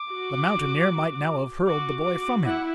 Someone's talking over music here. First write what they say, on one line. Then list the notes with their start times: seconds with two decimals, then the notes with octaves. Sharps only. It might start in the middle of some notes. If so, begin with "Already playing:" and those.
The mountaineer might now have hurled the boy from him.
Already playing: D6
0.09 F#4
1.65 F#4 D6
2.04 F#4
2.44 E4 F#5